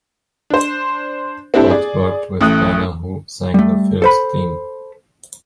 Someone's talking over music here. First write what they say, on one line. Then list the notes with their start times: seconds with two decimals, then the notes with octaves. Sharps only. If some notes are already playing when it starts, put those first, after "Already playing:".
Budd worked with Dana who sang the film's theme.
0.50 D4 C5
1.54 C4 D4 E4 G4 A4
1.70 G#4 D5
2.41 A1 A3 D#6 F#6
3.54 G3 A3
4.02 A4 C5 B5